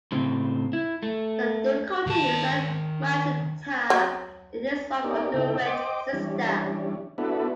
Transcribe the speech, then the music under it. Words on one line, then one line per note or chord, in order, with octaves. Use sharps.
The difficulty is that Magenta is his wife's underaged sister.
A2 C#3 C4
E4
A3
D#3 A5
F#3
B3 C#4 D#4 G4 A#4 D5
C#3 D#4 E4 A4 G5
C5 D#5 G5 D6
E3 G3 C#4 D4
B3 D4 E4 F#4 A4 B4